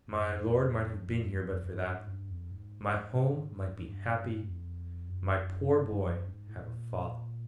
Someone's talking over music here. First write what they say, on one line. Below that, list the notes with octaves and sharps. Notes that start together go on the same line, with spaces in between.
My lord might have been here but for that; my home might be happy; my poor boy have a father.
F#2
F2
F2
F#2
G2
G#2
F#2
G2
F2
G#2
G#2
G2
F2
F#2
G2
F#2
G#2
A2
A2
A#2